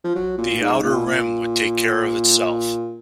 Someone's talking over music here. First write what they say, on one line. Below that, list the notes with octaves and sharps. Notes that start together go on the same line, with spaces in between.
The outer rim would take care of itself.
F3
F#3
A#2
G#2
A#2
A#2